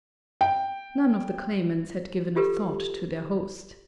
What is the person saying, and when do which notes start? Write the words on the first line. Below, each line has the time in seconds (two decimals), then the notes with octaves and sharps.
None of the claimants had given a thought to their host.
0.41 G5
2.36 F4 G4 A4 B4